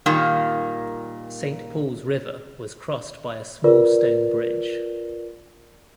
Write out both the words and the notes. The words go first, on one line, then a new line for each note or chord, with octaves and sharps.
Saint Paul's river was crossed by a small stone bridge.
A#2 D#3 G3 A#3
F4 A#4 B4 D5